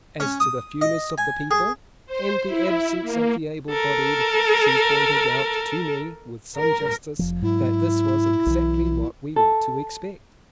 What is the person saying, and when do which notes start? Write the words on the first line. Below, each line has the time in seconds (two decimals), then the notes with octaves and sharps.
As to the fewness of the people, and the absence of the able-bodied, she pointed out to me with some justice that this was exactly what we ought to expect.
0.20 C#4
0.40 D#6
0.81 D#5
1.18 G#5
1.51 G#4
2.06 C5
2.46 E4
3.01 A#3
3.69 A4 A#4
6.55 A#4
7.19 F1 F3
7.42 G#2 F#3 E4
8.46 B1 E3
9.36 A4